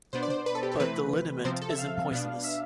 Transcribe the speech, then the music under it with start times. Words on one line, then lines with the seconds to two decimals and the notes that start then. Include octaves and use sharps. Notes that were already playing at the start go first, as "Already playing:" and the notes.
But the liniment isn’t poisonous.
0.13 B2 B3 D4 C5
0.23 D5
0.30 C5
0.46 B4
0.55 A4
0.63 G4
0.72 A4
0.79 C3 E3 A3 C4 B4
1.45 C3 F3 C4 C5
1.61 A4
1.70 E5
1.79 F5
2.11 B2 B3 D4
2.44 E5